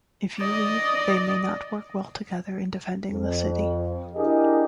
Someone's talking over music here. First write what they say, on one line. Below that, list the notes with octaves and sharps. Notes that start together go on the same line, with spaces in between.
If you leave, they may not work well together in defending the city.
D5 D#5
F2
D4 E4 G4 G#4 A#4 D#5